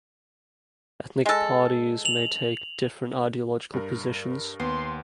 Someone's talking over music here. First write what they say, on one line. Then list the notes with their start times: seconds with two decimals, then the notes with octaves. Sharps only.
Ethnic parties may take different ideological positions.
1.26 G#3 A4
2.05 F7 F#7
3.74 G2 A#4
4.60 D#2 B3 C6